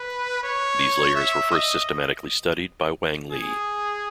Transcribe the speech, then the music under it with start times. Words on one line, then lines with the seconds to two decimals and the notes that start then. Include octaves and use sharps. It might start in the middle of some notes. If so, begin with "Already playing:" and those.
These layers were first systematically studied by Wang Li.
Already playing: B4
0.43 C#5
1.15 E5
1.52 D#5
3.32 G#4